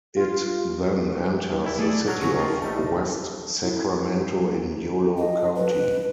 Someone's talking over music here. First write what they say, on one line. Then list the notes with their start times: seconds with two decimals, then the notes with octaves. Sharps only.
It then enters the city of West Sacramento in Yolo County.
0.17 F4
1.64 G3 E4
1.79 A3 G#4 A4 D5
2.08 F#3 A5 F6
2.21 C#3 C#4 C#6 A#6
2.39 D#4 F4
2.62 A#1 G3 A3 A5
3.64 E4
5.17 D#5
5.56 B4